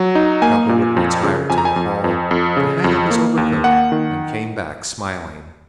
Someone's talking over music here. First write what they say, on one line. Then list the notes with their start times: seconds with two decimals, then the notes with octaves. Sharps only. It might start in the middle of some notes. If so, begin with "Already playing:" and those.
Cowperwood retired to the hall to hang up his overcoat and came back smiling.
Already playing: F#3
0.15 D#4
0.42 A#3 G#5
0.69 A#2
0.97 F2
1.24 C#3
1.50 F2 G#5
1.58 A#5
1.65 G#5
1.76 F2
2.04 F2
2.31 F2
2.57 C#3
2.84 F2
3.11 A#3
3.37 D#2
3.64 A#3 F#5
3.92 D#3